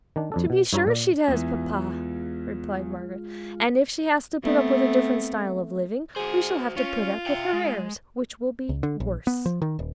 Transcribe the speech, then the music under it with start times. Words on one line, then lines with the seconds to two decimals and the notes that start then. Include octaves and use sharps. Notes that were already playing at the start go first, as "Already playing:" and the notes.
'To be sure she does, papa,' replied Margaret; 'and if she has to put up with a different style of living, we shall have to put up with her airs, which will be worse.
0.16 D#3 D4
0.32 F2 D4 A4
0.50 B2
0.73 G2 E4 C#5 E5 A#5
0.87 A#2 D5
1.28 E2 E3 G#3 F4
4.43 A3 B3 C4
6.16 F#4 G#4 C5
6.76 C#4 F4
7.26 E5 G5
7.53 G#3
8.69 C#2
8.83 D3
9.00 A#1
9.27 B3
9.46 F3
9.62 D#3
9.79 D#1